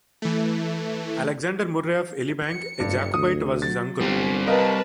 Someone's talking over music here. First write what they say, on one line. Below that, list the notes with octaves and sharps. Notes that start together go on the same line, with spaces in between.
Alexander Murray of Elibank, a Jacobite, was his uncle.
E3 A3
C#7
F#1 G2
D2 D#6
F#3 A6
G1 G3 C4
A#4 B4 D#5 F5 A5